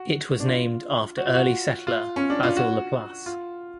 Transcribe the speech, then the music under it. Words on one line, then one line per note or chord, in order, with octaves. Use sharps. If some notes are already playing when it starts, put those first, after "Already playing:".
It was named after early settler Basile Laplace.
Already playing: F#4
D4
F4
F#4
F4
F#4
F4
C#4
D4
F4
F#4
F4